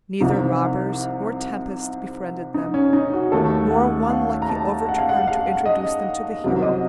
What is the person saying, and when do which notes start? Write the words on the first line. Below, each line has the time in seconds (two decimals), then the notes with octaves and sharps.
Neither robbers nor tempests befriended them, nor one lucky overturn to introduce them to the hero.
0.21 C2 C3 F3 D#4
2.54 D#4
2.74 C#4
2.93 D#4
3.13 F#4
3.32 D#2 D#3 A3 A4
3.71 F#5
4.10 F5
4.42 A#5
4.49 A5
4.89 F#5
4.98 F5
5.09 F#5
5.28 F5
5.66 D#5
6.44 C2 C3 F#3
6.63 D#5